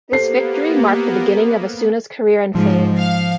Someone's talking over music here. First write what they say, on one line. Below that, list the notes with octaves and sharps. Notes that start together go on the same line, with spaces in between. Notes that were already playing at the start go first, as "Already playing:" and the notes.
This victory marked the beginning of Osuna's career and fame.
A#3 B3 G4 A4 C5 C7
G#2 F3
F5